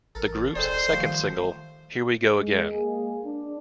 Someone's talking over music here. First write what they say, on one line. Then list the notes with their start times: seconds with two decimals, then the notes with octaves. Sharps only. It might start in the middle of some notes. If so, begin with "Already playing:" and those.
The group's second single, Here We Go Again!
0.15 A1 A4 A#4
0.55 D#1 C4 D#4 G#4 A4 C5 D5
0.91 D#3 F3 G3 A3
2.35 G#3
2.72 G#3 A#3 G#4
3.25 D4